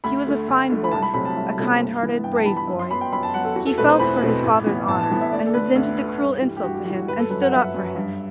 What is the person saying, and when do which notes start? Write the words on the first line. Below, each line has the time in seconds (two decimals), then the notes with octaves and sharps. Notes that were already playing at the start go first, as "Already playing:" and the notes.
He was a fine boy, a kind-hearted, brave boy, he felt for his father's honor and resented the cruel insult to him and stood up for him.
0.04 D2 B5
0.27 D3 A3
0.48 D2
0.70 D3 A3
0.84 B5
0.92 C2 A5
1.03 B5
1.14 C3 F#3 A3 C4 B5
1.25 A5
1.37 C2
1.58 C3 F#3 A3 C4
1.81 G2
2.03 E3 B3
2.24 G2 G5
2.35 A5
2.46 E3 B3 B5
2.57 B5
2.67 F#2
2.79 C6
2.91 F#3 B3 B5
3.01 G5
3.12 F#2 B5
3.23 A5
3.34 F#3 B3 F#5
3.45 A4
3.56 E2 F#4
3.66 A4
3.78 B2 A3 C4 B4
3.89 C5
3.99 E2 B5
4.22 B2 A3 C4
4.43 A1
4.66 A2 E3 B3
4.87 A1 A5
5.00 A5
5.10 A2 E3 B3
5.21 E5
5.32 D2 D5
5.46 A4
5.54 D3 A3 B4
5.75 D2
5.98 D3 A3
6.19 G2
6.42 E3 G3
6.57 G4
6.63 G2 F#4
6.75 G4
6.85 G3 F#4
6.90 E3
6.96 F#4
7.08 G1 B4
7.19 A4
7.29 F#2 F#3 B4
7.41 F#5
7.52 G1 E5
7.74 F#2 F#3
7.96 G2